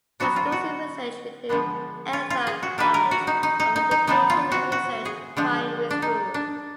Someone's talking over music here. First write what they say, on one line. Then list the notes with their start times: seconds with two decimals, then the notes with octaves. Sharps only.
The schools in Research include Eltham College of Education and Research Primary School.
0.20 D3 F#3 B3 D4 F#4
0.36 F4
0.52 F#4
1.49 D3 F3 G#3 B3 D4
2.13 F4
2.30 F4
2.47 G#4
2.63 F#4
2.78 D#3 F#3 A#3 D4 B4
2.94 A#4
3.11 F#4
3.27 D#4
3.43 D#4
3.60 D#4
3.76 D#4
3.91 D#4
4.07 D3 F3 B3 D4 D#4
4.30 F4
4.52 F#4
4.72 F#4
5.05 G#4
5.37 D3 F3 G#3 D4
5.91 D4
6.02 D#4
6.34 D4